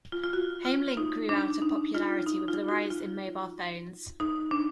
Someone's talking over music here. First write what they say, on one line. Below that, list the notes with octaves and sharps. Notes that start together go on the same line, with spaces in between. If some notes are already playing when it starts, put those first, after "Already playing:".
HomeLink grew out of popularity with the rise in mobile phones.
F4
F4
F#4
F4
D#4
D4
D#4
F4
D#4
F4
F#4
F4
D#4
D4